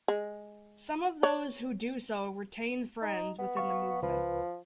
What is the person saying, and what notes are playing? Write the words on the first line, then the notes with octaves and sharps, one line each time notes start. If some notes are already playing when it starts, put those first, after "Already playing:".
Some of those who do so retain friends within the movement.
G#3
C#5
D#4
B3
F5 C#6
C#2 F3 B4